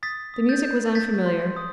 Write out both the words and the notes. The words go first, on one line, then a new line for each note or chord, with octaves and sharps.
The music was unfamiliar.
D#6 A6 B6
D#6
G6 A6
G6
G6 A6 B6
C6
D#6